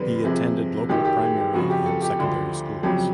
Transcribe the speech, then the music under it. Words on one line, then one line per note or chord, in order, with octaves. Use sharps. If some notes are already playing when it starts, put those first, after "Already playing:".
He attended local primary and secondary schools.
Already playing: F2 D3 G3 B4
F2 C3 F3 G#4
F#2 D#3 F#3 G4
G4
G#4
G4
F2 C#3 F3 F#4
G4
A4
G4
D2 D3 F3
F2 C#3 F#3 G4